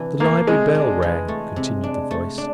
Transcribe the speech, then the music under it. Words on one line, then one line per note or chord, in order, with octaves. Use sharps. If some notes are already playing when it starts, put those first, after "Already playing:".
"The library bell rang," continued the voice.
Already playing: C3 E3 D4
A3 A#3
C3 G#3
D4
E3
A3
C3
D4
A3
D4